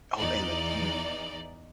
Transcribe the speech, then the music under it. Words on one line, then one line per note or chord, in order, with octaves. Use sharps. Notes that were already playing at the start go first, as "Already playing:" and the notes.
Oh, and the cheese.
E2 E3 D#4 D5